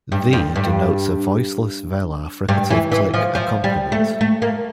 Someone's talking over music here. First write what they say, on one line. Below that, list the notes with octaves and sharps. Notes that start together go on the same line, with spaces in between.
The denotes a voiceless velar fricative click accompaniment.
G2
F2
G2
G2
E3
E3
F3
F3
G3
A3
A3
A#3